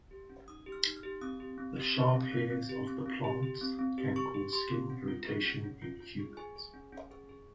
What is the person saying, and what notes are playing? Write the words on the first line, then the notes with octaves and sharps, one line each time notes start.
The sharp hairs of the plants can cause skin irritation in humans.
G4
C#4
D#4 D#6
G4
F6
D#4
F6
G4
C4 D#6
G4
C4
G4
G4
C4
C4
C4
G4
C4
C4
G4
G4
C4
C4
G4
G4 C#6
G4
G4 C6
C4
C#4
F4
G#4
C#4
C#4
F4
F4
G#4
G#4 G#5
G#4
C#4
C#4
G#4
G#4